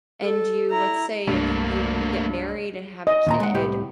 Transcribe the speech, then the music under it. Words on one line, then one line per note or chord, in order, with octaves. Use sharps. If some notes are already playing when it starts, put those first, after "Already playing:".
and you let's say, if you were to get married and have a kid,
A4
E4 A#5
C2 G2 A3 A#3
D#5
D#2 A#2 A#5
G#3 F#5
C2 A2 G4